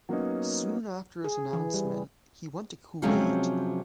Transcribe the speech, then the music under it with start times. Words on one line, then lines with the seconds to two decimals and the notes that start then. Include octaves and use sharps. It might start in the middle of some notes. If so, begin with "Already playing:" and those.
Soon after his announcement he went to Kuwait.
0.09 F#3 A#3 B3 C#4 D#4
1.24 G#4
1.53 E3
1.74 G3
3.02 C3 F3 F#3 G#3 C4 C#4